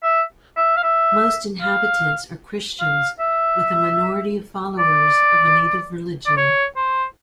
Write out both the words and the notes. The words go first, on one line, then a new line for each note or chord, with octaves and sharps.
Most inhabitants are Christians with a minority of followers of a native religion.
E5
E5
F5
E5
F5
F5
E5
D5
D5
C#5
C5